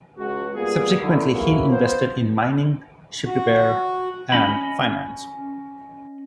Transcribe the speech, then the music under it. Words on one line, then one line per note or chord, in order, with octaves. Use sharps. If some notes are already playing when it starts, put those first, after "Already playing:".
Subsequently he invested in mining, ship repair, and finance.
C#2 F#4
G3 A#3 B3 F4 G#4
D3 D#3 F#3 A3 E4
E3 F#3 G#3 A#3 D#4 E4
B3 F4 B4 C5
F#4
C#4 D#5 B5